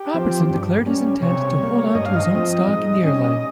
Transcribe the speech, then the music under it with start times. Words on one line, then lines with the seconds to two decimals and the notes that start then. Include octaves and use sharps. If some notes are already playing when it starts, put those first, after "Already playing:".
Robertson declared his intent to hold onto his own stock in the airline.
Already playing: G4
0.14 F3 C4
0.50 G2
0.86 G3 C#4
1.22 C3 C#5
1.58 G3 A#3
1.95 G2 D#5
2.05 F5
2.16 D#5
2.31 F3 C4
2.67 G#2
3.03 G3 C#4